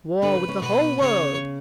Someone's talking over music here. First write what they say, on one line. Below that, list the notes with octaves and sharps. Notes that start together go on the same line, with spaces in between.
War with the whole world!
D3 D4 B4
C#3 C#4
C#3 C#4
B2 B3 B4
C#3 C#4 C#5